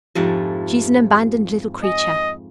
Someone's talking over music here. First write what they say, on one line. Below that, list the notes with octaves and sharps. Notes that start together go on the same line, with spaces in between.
'She is an abandoned little creature.'
F2 G#2 A3 F4 G4
D#5 G#5